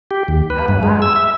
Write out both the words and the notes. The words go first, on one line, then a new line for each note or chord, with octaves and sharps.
Oh, wow.
G4
D#2
B4
G2
G#3
E6
E5